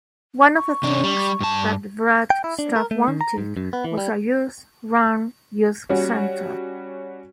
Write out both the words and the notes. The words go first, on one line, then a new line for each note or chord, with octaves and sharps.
One of the things that the Brat staff wanted was a youth-run youth center.
C#6
C3 D4
G3
G2 A5
G5
E4
D4
A#4
A3
D#3
A#5
G#2
F#2
B3
E3
G3
G3 C#4 F#4